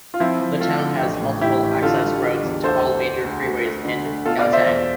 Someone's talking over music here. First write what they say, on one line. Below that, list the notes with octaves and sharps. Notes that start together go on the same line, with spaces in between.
The town has multiple access roads to all major freeways in Gauteng.
F4
F3 C4 E4
F3
A3 F4 A4
D3
A1
A2
A1 E4 G4
A1
D3 F4 A4
G3
D3
E2
D2 A4 C5
D2
D2
D2
A3
A3
D3
A3
B2 F4 A4
D5 F5
B2
C5 E5
E2